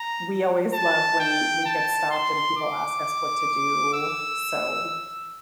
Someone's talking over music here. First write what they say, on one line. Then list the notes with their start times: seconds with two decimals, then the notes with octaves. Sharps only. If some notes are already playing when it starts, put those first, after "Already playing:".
we always love when we get stopped and people ask us what to do. So,
Already playing: A#5
0.73 A5
1.20 G5
1.65 A5
2.11 C6
2.57 D6
3.94 E6